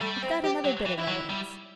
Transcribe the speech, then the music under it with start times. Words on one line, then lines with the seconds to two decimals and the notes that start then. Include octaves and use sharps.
I've got another bit of evidence.
0.01 G3 A3
0.23 C4
0.44 G4
0.65 F#3
0.86 E3
0.97 E4
1.08 F#3
1.30 G3